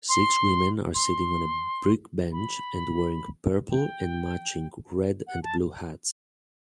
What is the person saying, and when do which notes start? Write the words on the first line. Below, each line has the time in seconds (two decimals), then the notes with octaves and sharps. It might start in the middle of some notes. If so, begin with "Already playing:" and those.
Six women are sitting on a brick bench and wearing purple and matching red and blue hats.
0.09 C6
0.94 C6
2.32 B5
3.70 G5
5.27 F#5
5.43 A5